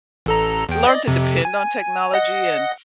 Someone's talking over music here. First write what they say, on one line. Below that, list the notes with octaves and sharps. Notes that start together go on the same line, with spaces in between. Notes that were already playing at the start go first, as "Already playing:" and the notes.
learn to depend on technology. And,
A1 A4 A#5
E2 G5
D5 D#5
F2 C3
G#5
D#5 F#5